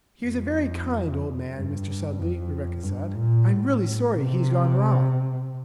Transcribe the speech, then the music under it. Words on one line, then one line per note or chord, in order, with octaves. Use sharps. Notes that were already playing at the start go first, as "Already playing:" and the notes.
"He was a very kind old man, Mr. Sedley," Rebecca said; "I'm really sorry he's gone wrong."
F2
G2
F2
G2
A#2
A2
C3